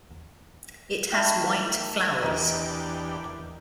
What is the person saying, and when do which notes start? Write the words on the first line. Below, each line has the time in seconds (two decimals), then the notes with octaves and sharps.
It has white flowers.
1.12 D#3 A3 G5
2.22 E2 D4 G4 A#4 D#5